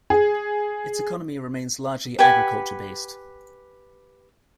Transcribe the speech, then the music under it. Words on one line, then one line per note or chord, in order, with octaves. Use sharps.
Its economy remains largely agriculture-based.
G#4
G4 B4 F#5 G#5